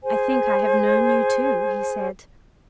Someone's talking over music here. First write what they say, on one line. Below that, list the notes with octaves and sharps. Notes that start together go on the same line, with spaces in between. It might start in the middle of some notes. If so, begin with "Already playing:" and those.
"I think I have known you, too!" he said.
G#4 C5 G#5